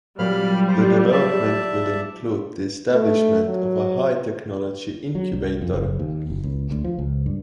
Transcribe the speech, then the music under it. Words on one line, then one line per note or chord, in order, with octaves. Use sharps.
The development will include the establishment of a high-technology incubator.
A#2 F#3 G3 C4 F5 B5 F6
F4 C5 B5 C#7
D5 E5 A5 C6
A3
F#3
F#3
C2
F2
F#1
D#2
F#1
C#2
D2
F3
C#2
G2